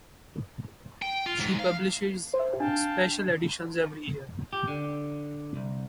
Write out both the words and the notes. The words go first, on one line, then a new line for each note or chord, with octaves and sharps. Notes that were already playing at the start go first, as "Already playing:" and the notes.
She publishes special editions every year.
G5
F4
G#2
F5
D4 F5 G5 A5
G4
D3
C2